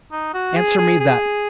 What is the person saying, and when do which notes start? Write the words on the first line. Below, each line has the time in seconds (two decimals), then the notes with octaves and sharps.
Answer me that.
0.12 D#4
0.34 F#4
0.56 G#4
0.78 G#4
1.00 G#4